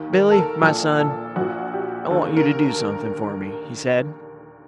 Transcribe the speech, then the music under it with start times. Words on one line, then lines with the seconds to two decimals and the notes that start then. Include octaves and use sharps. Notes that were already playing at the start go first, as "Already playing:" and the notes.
"Billy, my son, I want you to do something for me," he said.
Already playing: D#2 D#3
0.13 A#4
0.31 A4
0.37 A#4
0.62 A#1 A#2 A4
0.99 A4
1.36 A#1 A#2 F#4
1.73 G4
2.11 D#2 D3 A4
2.37 A#4